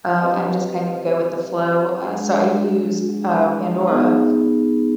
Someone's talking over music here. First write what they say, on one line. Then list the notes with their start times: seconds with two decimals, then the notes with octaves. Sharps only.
Um, I'm just kind of go with the flow, uh, so I use, uh, Pandora
0.21 C4 G4 B4 D#5
2.04 G#3 D4 G#4
3.88 B3 D#4 G#4